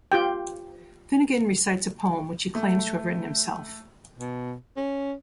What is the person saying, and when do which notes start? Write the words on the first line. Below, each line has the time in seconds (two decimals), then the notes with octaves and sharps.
Finnegan recites a poem which he claims to have written himself.
0.12 F4 G4 G5
2.55 A3
4.18 B2
4.76 C#4